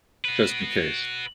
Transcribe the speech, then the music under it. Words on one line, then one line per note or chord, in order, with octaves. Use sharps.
just in case.
F#4 B4